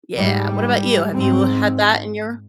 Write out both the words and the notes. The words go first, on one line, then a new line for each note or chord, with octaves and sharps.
Yeah, what about you? Have you had that in your
G#2 G3
G#2 C4